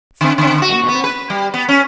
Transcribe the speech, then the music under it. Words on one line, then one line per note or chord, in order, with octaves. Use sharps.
'See that, Anna?
D3
D3
F#4
B3
B4
G3
B3
C#4